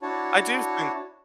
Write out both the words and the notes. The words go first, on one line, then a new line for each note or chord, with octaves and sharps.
I do think
D4 E4 F#4 C#5 A5